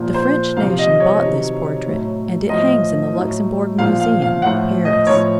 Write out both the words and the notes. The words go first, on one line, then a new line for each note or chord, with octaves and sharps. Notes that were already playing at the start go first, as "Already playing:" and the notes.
The French nation bought this portrait, and it hangs in the Luxembourg Museum, Paris.
Already playing: A#2 F3
C5
F3 F5
C3
D#5
C#5
C3 D#3 F#3
A2 F#3
A2 F3 D#5
A2 F#3
A#2 F3 F5
F5
F5
A2 F3 F#5
D#5
A2 F3 C#5